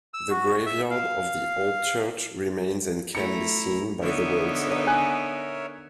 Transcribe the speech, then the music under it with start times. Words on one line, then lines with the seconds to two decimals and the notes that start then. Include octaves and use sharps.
The graveyard of the old church remains and can be seen by the roadside.
0.14 E6
0.30 F#4
0.66 E5
0.90 F5
3.15 A3 E4 A#5 C#7
4.02 D3 B3 D#4 A#4 C#5 E5
4.87 G#5 F#6